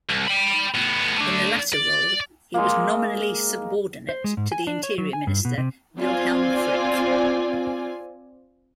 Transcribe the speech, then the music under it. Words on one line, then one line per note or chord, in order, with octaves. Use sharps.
In the latter role, he was nominally subordinate to the Interior Minister, Wilhelm Frick.
C2
G5 B5
A2 B3
A3 D4
D5
G#3 A#3
C5
G#3
G#2
G#5
D4
C#5
F#3
G#5
G2
B2
C3
C4 F4 D5 G#5